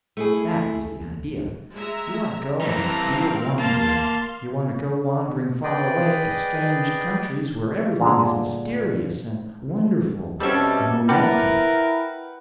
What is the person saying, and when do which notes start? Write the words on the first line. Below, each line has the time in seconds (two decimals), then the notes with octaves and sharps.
That is the idea; you want to go and be a wanderer; you want to go wandering far away to strange countries where everything is mysterious and wonderful and romantic.
0.17 A3 E4 G#4
1.74 G#3 E5 A#5
2.62 E3 G3 C4 A4 F5 A#5
3.60 A#3 F5 A5 C6
5.64 G#4 B4 D5 D#5 G5
8.00 A#2 D3 G#3
10.40 B2 G3 C4 C#4 A4 D5 E5
11.09 E4 A#4 B4 F#5 G5 A5 D6